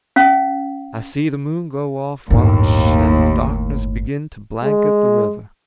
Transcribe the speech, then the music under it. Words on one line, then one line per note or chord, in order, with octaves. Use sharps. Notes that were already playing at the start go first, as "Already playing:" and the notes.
I see the moon go off watch, and the darkness begin to blanket the river.
C#4 F5
G1 D#2 A2
G#3